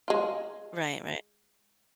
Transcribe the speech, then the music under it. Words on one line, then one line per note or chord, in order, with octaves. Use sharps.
right, right.
G#3 F4